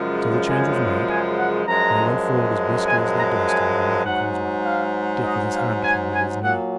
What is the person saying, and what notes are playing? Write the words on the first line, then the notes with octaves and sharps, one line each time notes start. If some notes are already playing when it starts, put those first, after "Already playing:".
So the change was made, and they went forward as briskly as they durst on the uneven causeway, Dick with his hand upon the other's knee.
Already playing: F#2 C#3 F3 G#3
G#5
G#5
F#5
F#2 F3 G#3 A#5
G#5
A#5
G#5
G#2 F#3 F#5
F5
D#5
F5
G#5
G#5
A#2 F#3 F#5